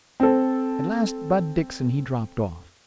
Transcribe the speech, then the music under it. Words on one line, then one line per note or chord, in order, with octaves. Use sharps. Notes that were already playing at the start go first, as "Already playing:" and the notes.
At last Bud Dixon he dropped off.
C4 A4